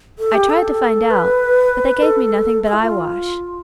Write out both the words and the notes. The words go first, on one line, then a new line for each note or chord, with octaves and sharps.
I tried to find out, but they gave me nothing but eyewash.
A4
G4
A4
B4
A4
A4
E4
F4